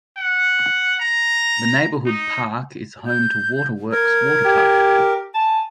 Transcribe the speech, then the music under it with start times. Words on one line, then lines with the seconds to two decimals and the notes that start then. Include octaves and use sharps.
This neighborhood park is home to Waterworks Waterpark.
0.17 F#5
1.00 A#5
2.05 D#4
3.07 G6
3.92 A#4 G#6
4.45 G4
5.34 G#5 A5